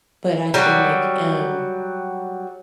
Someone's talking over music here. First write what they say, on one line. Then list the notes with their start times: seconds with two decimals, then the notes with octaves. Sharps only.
But I tend like um,
0.54 F#3 G3